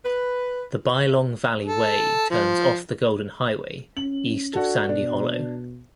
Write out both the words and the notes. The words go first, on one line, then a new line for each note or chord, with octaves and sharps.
The Bylong Valley Way turns off the Golden Highway east of Sandy Hollow.
B4
A4
F3
C#4 F#7
D4 F#4 A4
B2 D4